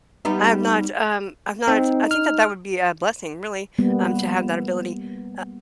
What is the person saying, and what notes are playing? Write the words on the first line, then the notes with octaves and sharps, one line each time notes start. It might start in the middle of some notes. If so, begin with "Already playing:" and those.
I have not, um, I've not I think that that would be a blessing, really, um, to have that ability. Uh
G3 B3 D#4
C4 D#4
F6
G3 A#3 B3